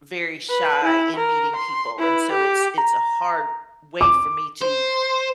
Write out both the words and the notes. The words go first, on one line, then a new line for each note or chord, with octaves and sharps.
very shy in meeting people, and so it's it's a hard way for me to
B4
E4
A#4
C6
E4 B4
G4
A#5
D6
C5